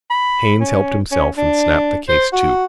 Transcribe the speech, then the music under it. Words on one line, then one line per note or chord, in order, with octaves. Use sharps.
Haines helped himself and snapped the case to.
B5
C#4
C#4
D4
C5
F#4